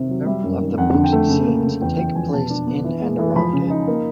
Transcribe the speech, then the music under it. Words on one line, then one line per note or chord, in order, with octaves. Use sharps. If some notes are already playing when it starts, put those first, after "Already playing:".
Several of the book's scenes take place in and around it.
Already playing: C3 D#3 C4
F#3
G3 E5
F#2
D#3
F2 F#5
D3
G5
A3
C#3
A#3
C#3
E2 G5
E2 G5
F3 G#5
B2 A5
D4
B3
E3
G#3
E3
F3 B5
C#3
D#4
A#3